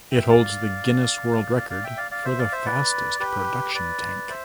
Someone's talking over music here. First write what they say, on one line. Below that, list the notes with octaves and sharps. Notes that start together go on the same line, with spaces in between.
It holds the Guinness world record for the fastest production tank.
E5 G5
D5 F5
D5 F5
D5 F5
E5 G5
D5 F5
D5 F5
C5 E5
D5 F5
C5 E5
B4 D5
G4 B4
B4 D5
C5 E5